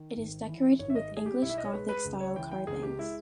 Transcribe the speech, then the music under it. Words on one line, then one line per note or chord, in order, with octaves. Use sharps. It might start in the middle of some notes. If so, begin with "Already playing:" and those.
It is decorated with English Gothic style carvings.
Already playing: D#3
G#1
E3
G#1 C#5
E5
D#5
G3
G#4
G4
B1 E4
E5
D#5
C#5
G#3 B4
B4
C#2
C#5
E3 G5
G5
C#2 G#4
G4
G#3 E4